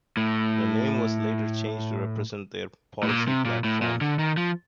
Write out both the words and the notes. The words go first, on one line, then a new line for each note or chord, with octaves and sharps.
The name was later changed to represent their policy platform.
A2
A2
A#2
C3
A#2
A2
A#2
D3
D#3
F3